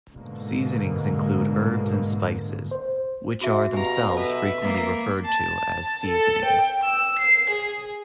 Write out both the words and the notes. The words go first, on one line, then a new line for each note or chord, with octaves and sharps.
Seasonings include herbs and spices, which are themselves frequently referred to as "seasonings".
G#2 B2 D3 G#3 A#3
C5
F#4 G#4 E5
B2 G4 F5 G#5 A#5
A4 B4 E5
A#3
A5
A5
A4
G5
E6
C7
G#4